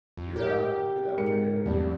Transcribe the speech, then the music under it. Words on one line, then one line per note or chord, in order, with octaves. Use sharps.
Yeah, have a good afternoon.
F2
G4 A#4
G#2 A#4 C#7
F1 E2 G2